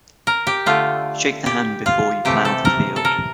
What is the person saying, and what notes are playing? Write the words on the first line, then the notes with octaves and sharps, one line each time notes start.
Shake the hand before you plough the field.
A#4
G4
D3 A3 F4
G4
F4
C3 E3 A3 G4
A4
A#4
A4
A#4